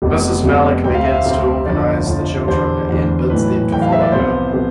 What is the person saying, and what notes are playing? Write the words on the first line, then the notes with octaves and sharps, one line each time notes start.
Mrs. Malik begins to organize the children and bids them to follow her.
F1 F2 C3 G3 B3
F1 F2 C3 G3 B3
D2 C3 G3 C4 G5
F5
E5
F5
D2 C3 G3 C4
G1 F2 D3 F3 D5
G1 F2 D3 F3
E2 D3 G3 D4 C5
E2 D3 G3 D4
B1 A2 E3 B4
B1 A2 E3 G5
F5
E5
D5
C2 C3 F3 B3 C5
C3 F3 B3